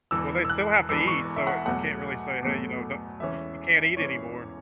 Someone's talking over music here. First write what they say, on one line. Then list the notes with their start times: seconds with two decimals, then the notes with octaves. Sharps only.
well, they still have to eat, so you can't really say, "Hey, you know, don't you you can't eat anymore."
0.11 E1 E2 E3 E6
0.45 E6
0.50 F#6
0.89 E1 E2 E3 E6
1.08 C#6
1.36 E5
1.47 F#5
1.66 E2 B2 F#3 A3 F#5
2.42 E2 B2 F#3 A3
3.20 E1 E2 E3 C#4 E5
3.97 E1 E2 E3 C#4 C#5